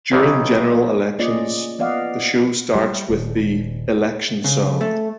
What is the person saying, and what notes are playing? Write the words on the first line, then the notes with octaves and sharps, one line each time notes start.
During general elections, the show starts with the 'election song'.
B1 D#3 E3
A#3 C#4 F4 G#4 D5 D#5
F3 B3 D5 D#5 F5 F#5
G3
D#1
C#3
A3